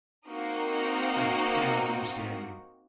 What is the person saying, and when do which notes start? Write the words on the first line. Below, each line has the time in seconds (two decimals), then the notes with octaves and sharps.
"I cannot understand you!"
0.29 A#3 C4 D#4 F#4 A#4